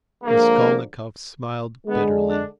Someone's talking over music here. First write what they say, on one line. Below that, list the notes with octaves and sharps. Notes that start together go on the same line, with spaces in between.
Raskolnikov smiled bitterly.
D3 F3 G#3 A#3
D3 G#3 B3
D4